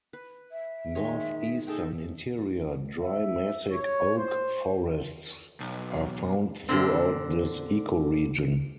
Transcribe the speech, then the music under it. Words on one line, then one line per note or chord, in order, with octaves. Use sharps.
Northeastern interior dry-mesic oak forests are found throughout this ecoregion.
B4
E5
D#3 G#3 C#5
D#4 G#4 A4 G5
E5
C#5
C5
B1
A#2 D3 C4